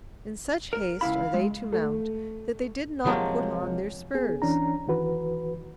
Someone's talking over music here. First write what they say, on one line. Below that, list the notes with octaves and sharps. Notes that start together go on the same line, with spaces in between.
In such haste are they to mount that they did not put on their spurs.
A#4
C#2 E4 F5 B5
G#3
A3
C3 F3 F#3 G#3 A#3
B3 G#4
E3 C#4 D4 A#5
D#3 E3 F#4 B4